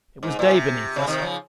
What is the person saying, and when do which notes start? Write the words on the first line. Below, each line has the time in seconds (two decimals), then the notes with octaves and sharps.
It was day beneath us.
0.23 G#2
0.39 A#2
0.51 C3
0.96 C#3
1.07 C3 D#3
1.22 C#3 F3